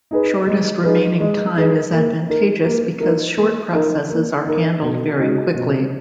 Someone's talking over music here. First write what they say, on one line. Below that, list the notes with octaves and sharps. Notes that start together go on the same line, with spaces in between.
Shortest remaining time is advantageous because short processes are handled very quickly.
D#4 G#4 B4
G#3
D#4 G#4 B4
G#3
D#4 G#4 B4
A#3
D#4 A#4
A#3
D#4 A#4
A#3
D#4 A#4
A#3
D#4 A#4
B2
G#3 D#4 F#4
B2